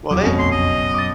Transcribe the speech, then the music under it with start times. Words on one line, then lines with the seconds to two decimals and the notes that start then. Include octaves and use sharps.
Well, they
0.11 E1 F#3 D6
0.23 G1 F2 B2 G3 C#4
0.39 A#1 A3 C6
0.51 F#1 B1 D#5
0.94 F#2 D6 A6